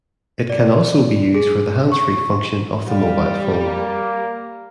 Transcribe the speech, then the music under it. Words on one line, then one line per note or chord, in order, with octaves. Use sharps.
It can be also used for the handsfree function of the mobile phone.
D5
G#4
C#6
G3 F5
A#3